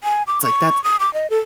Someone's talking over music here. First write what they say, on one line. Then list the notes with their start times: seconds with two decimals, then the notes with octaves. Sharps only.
It's like, that's
0.04 G#5
0.27 D6
0.43 C#6
0.84 D#6
1.00 D6
1.14 D#5
1.30 A4